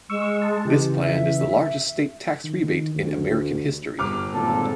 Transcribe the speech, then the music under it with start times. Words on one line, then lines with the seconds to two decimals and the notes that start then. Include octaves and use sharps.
This plan is the largest state tax rebate in American history.
0.10 G#3 C#6 E6
0.42 A5
0.65 C#3 E3 G4
1.03 E5
2.44 D#3
2.95 D2
3.99 G1 D6 F6
4.33 G#1 A#2 A4